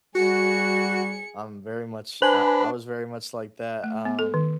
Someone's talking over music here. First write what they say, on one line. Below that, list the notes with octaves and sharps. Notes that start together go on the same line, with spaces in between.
I'm very much I I was very much like that, um
G3 F#4 G#4 C#7
D4 B4 C5 G#5 B5
A3
B3
A4
D#3